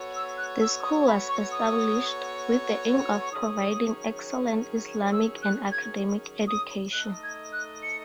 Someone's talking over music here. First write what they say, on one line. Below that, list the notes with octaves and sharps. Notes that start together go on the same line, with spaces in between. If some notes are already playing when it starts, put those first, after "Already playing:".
The School was established with the aim of providing excellent Islamic and academic education.
Already playing: B3 F#4 A4 C#5
E6
F#6
E6
D#6
B5
C#6
D#6
C#6
D#3 F#3 C#4 G#4 C#5 D#6
E6
F#6
G#6
D#6
A3 D#4 A4 D#5 F#6
G#6
F#6
C#7